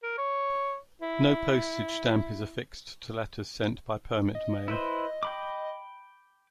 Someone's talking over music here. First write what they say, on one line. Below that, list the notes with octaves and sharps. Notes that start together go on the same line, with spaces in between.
No postage stamp is affixed to letters sent by permit mail.
A#4
C#5
E4
D#5
E4 B4 C5
G5 B5 D6